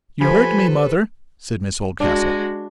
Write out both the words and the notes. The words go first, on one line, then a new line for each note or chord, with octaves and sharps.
"You hurt me, mother," said Miss Oldcastle.
F3 G4 A4 B4 C5 G#5 B5
G#3 D4 F#4